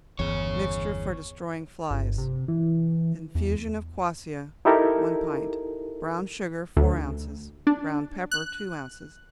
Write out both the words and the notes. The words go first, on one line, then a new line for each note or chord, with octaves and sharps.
Mixture for Destroying Flies--Infusion of quassia, one pint; brown sugar, four ounces; ground pepper, two ounces.
G1 E2 G#4 C#5
G1
C3
E3
E2
D#4 E4 G4 A4 A#4
D2
D4
F#6